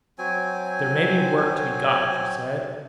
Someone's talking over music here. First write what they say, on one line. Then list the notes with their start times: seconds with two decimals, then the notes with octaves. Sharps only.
'There may be work to be got,' she said.
0.18 F#3 C4 G#5